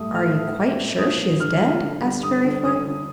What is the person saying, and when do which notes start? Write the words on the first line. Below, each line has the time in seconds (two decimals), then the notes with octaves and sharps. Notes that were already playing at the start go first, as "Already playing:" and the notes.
"Are you quite sure she is dead?" asked Fairyfoot.
Already playing: A2 G3 A3 D#6
0.15 A3 F6
0.36 A3
0.57 A3
0.78 A#2
0.98 F3 D#6
1.19 A3
1.40 D3 F6
1.61 D3
1.82 D3
2.02 G3
2.23 D3 D#6
2.44 D3
2.64 D3 D#6
2.86 D3